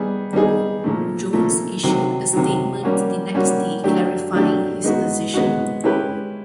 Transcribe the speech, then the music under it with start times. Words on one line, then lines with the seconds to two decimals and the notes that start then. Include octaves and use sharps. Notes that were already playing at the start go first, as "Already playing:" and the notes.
Jones issued a statement the next day clarifying his position.
Already playing: G3 B3 D#4 G#4
0.33 G3 B3 D#4 G#4
0.84 A#2 F3 A3
1.33 A#2 F3 A3
1.84 C3 D#3 F#3
2.33 C3 D#3 F#3
2.83 G3 A#3 C#4 F#4
3.34 G3 A#3 C#4 F#4
3.84 F#3 A3 D4 G4
4.33 F#3 A3 D4 G4
4.84 G#3 B3 D#4 F#4
5.34 G#3 B3 D#4 F#4
5.84 G#3 C#4 E4 G4 B4